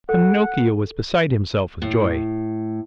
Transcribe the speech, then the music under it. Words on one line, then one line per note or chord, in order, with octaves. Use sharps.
Pinocchio was beside himself with joy.
A4 F#5
A2